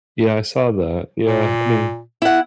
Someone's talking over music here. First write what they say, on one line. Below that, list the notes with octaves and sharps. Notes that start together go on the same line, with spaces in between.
Yeah, I saw that. Yeah, I mean
A#2
E4 F#5